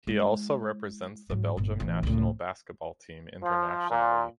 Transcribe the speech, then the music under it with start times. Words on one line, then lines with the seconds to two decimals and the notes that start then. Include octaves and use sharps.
He also represents the Belgium national basketball team internationally.
0.07 G#3 E4
1.30 G#2 F#3
1.57 G1 A#2
1.80 A1 E3
2.03 C#2 A2
3.43 F3
3.90 A#2